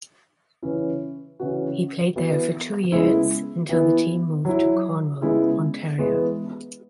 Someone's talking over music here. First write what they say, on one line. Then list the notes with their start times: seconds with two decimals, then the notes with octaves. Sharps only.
He played there for two years until the team moved to Cornwall, Ontario.
0.62 C#3 E3 C#4 E4
1.40 C#3 E3 C#4 F#4
2.16 E3 B3 F#4
2.92 C#3 G#3 B3 E4
3.69 E3 B3 E4
4.45 F#3 E4
5.22 C#3 G#3 B3 E4
5.98 E3 G#3 B3